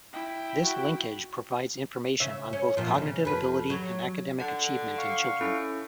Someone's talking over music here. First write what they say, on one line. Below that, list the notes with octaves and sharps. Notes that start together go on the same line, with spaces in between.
This linkage provides information on both cognitive ability and academic achievement in children.
E4 G5
F#4
C#3 E5
C#4
F#2 A#2 F3
C#3
F2 B4
F#3
D3 F#5
F5 C#6
C#4 E4 A4